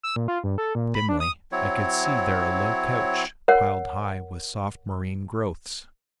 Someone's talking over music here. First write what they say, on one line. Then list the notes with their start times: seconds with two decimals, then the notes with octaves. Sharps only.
Dimly, I could see there a low couch, piled high with soft marine growths.
0.03 E6
0.16 A#2
0.28 F4
0.44 G2
0.58 A4
0.75 A#2
0.95 B5
1.09 D4
1.20 D#6
1.52 F#3 C4 E4 C#5
3.48 A#4 C#5 F#5